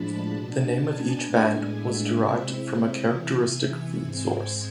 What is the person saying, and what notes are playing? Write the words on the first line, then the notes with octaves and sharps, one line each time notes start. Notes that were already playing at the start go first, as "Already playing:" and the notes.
The name of each band was derived from a characteristic food source.
Already playing: A2 F3 G#3 D4 A5 B5
B2 B3 D4
G#5
A2 G#3 B3 D4
E5
C3 G#3 C4 E4
C3 E3 B3
G#5
G#2 G#3 C4